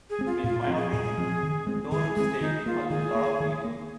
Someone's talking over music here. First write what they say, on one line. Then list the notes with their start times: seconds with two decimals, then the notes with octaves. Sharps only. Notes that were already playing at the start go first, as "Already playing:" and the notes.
In my opinion, doughnuts take a lot of beating.
0.10 G#4
0.19 G#3 C4
0.26 F4
0.43 A#2 F4
0.60 F4
0.67 F3 C4
0.77 G#4
0.93 A#2 G#4
1.17 F3 C4
1.43 D#3
1.67 G#3 C4
1.91 D#3 G#4
2.16 G#3 C4 G#4
2.41 D#3 D#4
2.66 A#3 F4
2.90 D#3 G#4
3.15 A#3
3.40 D#3
3.64 A#3